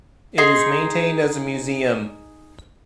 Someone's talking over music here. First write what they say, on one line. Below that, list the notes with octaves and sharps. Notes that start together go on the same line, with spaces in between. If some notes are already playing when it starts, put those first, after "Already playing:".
It is maintained as a museum.
D#4 G#4 C6